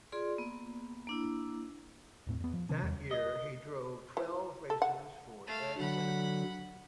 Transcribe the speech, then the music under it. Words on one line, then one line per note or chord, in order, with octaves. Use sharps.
That year, he drove twelve races for Ed Whitaker.
F4 G#4 D5 C6
A#3 B3
A#3 D4 E4
D#1 A2 C4
E2 B3
F3
C3 D#3 C#4 D4
E2 G3
D#5
E3
A4
F#5
A3 F5
D3 F#3 F#5 B5